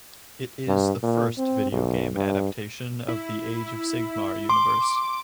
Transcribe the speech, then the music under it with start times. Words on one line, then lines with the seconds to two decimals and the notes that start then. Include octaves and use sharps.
It is the first video game adaptation of the "Age of Sigmar" universe.
0.68 G2
1.03 A#2
1.38 C4
1.72 B1
2.15 G2
3.08 E4
4.49 C6 D6